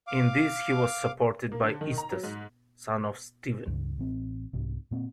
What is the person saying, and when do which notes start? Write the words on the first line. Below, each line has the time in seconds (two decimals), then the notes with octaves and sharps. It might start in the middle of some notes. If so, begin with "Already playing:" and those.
In this he was supported by Eustace, son of Stephen.
0.07 F5 D6
1.52 A#3
1.63 D3
1.81 D#3
1.98 A#5
2.12 F#3
2.23 G#2
3.67 C#2 G2 C#3
3.98 A1 C4
4.53 C2 G#2 C3
4.91 A#2 A#3 C4